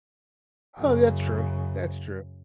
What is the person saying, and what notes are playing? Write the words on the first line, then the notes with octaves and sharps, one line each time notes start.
Oh, that's true, that's true.
F#2 C#3